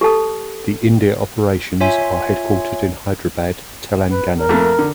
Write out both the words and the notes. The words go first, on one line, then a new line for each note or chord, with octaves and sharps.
The India operations are headquartered in Hyderabad, Telangana.
G4 A4 A5 D#6
F4 C#5 E5 G#5 C6
B4
A#4
F2 A3 A#3
D3